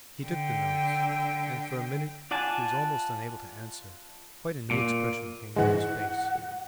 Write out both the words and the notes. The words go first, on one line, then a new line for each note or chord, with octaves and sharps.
He took the notes, and for a minute he was almost unable to answer, quite a new expression came into his face.
D3 G5
F4 D5 F#5 G#5 A5
A#2
G#2 E3 G#3 F#5